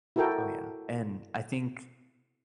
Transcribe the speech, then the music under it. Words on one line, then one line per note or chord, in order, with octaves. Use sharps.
Oh, yeah, and I think,
E4 F#4 A4 A#4 G5